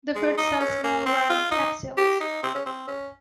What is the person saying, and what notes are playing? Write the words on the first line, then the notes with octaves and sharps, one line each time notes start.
The fruits are small round capsules.
G#3
D#4
C#4
A#3
C4
F4
D#4
G4
D#4
C4
C#4
C4
C#4